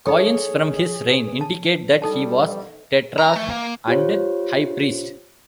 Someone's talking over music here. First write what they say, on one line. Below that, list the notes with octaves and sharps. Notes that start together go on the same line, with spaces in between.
Coins from his reign indicate that he was "tetrarch and high priest".
D#4 G#4 A4 C#5
A5
G3 D#4 A4 A5
A#5
A3
A#3
F4 G4 C5 C#5